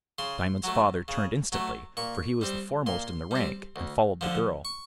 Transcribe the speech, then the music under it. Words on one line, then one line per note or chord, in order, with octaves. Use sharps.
Diamond's father turned instantly, for he was the foremost in the rank, and followed the girl.
C#3 C6
F#3 A3
C#3
F#3 A3
A#2 C#6
G3 C4
A#2 C6
G3 C4
D2
D3 F3
C#6